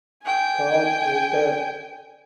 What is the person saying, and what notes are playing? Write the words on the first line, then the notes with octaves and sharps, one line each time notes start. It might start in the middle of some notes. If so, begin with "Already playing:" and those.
Carl Ritter.
G5 G#5